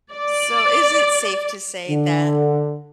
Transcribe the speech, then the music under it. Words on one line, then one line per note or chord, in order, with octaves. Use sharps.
So is it safe to say that
D5
D3